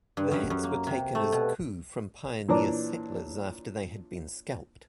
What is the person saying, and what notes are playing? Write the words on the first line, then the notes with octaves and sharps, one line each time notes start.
The hats were taken as coup from pioneer settlers after they had been scalped.
G2
F#2
F#2
A#3
C3
A3
B2
A#2 E3 D4 C#5 A#5 D6